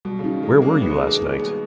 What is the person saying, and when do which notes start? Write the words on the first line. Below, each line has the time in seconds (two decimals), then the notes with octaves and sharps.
Where were you last night?
0.05 B2 G3
0.19 C#3
0.24 D#3 C#4
0.42 G3 G#3
0.62 A#3 C#4
0.81 B3 B4
1.01 G#4
1.07 A#3
1.21 G#4
1.32 B3
1.39 G#4